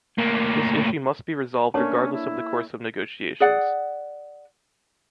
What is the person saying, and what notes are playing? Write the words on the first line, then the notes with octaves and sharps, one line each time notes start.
This issue must be resolved regardless of the course of negotiations.
A2 A#3
A3 A#3 C#4 D4 C#5 A5
E4
G#4 D5 F#5